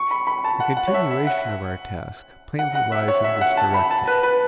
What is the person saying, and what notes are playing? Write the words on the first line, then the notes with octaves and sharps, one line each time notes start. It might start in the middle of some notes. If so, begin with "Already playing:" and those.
The continuation of our task plainly lies in this direction.
Already playing: C#6
B5
B5
A5
F#5
F#5
C#5
E5
E5
F#5
F#5
F#5
E5
C#5
E5
E5
F#5
A5
B5
A5
B4
B4